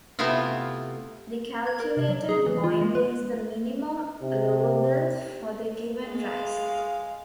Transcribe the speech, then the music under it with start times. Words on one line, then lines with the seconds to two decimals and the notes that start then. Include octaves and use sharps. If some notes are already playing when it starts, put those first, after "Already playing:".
The calculated Going is the minimum allowable for the given Rise.
0.19 C3 A3 B3 E4 F4
1.67 G#6
1.80 A#4
1.97 C3
2.09 F#3
2.29 G#4
2.46 E3
2.64 F4
2.81 G#3
2.95 B4
4.22 C3
6.07 G#3 F5